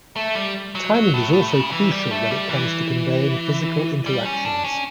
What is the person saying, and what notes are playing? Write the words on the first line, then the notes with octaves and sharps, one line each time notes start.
Timing is also crucial when it comes to conveying physical interactions.
A3
G3
F#3
F#3
A2
A2
C#3
E3
G3
A3
G3
E3
G3
C#4
D4
C#4